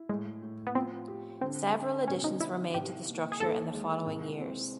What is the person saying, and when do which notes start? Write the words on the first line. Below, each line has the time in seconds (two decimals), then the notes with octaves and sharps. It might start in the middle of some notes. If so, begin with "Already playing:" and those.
Several additions were made to the structure in the following years.
Already playing: E4
0.09 A2 G#3
0.42 A2
0.67 B3
0.75 F3 C4
1.08 G4
1.41 D3 C4
1.75 D3
2.08 B2 C#4
2.24 D#4
2.40 D#4 E4
2.74 C2 G4
3.07 A#3
3.32 G#4
3.40 D#2 A4
3.73 G#3
4.06 C2
4.39 C4